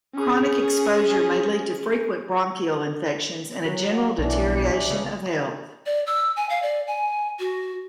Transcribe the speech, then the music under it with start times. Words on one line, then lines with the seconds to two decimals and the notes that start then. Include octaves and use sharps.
Chronic exposure may lead to frequent bronchial infections and a general deterioration of health.
0.15 C#4 G#4
3.65 F#3
4.18 B1 E3 D4
4.90 C#3
5.86 D5
6.07 E6
6.36 G#5
6.50 F5
6.62 D5
6.87 G#5
7.39 F#4